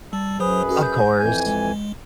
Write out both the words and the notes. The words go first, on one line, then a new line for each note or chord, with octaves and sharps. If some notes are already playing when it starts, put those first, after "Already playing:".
Of course.
G3 A5 E6
F#2 F#3 G#4 B4 C5 D#6
C#4 F#4 A4
G6
F2 E3 G#5
G#3